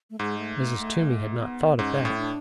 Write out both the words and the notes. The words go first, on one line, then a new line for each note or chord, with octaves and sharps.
Mrs. Toomey had not thought of that.
A3
G#2 G#3
A3
A3
A3
A3
B3
G#2 C#4
A2
D4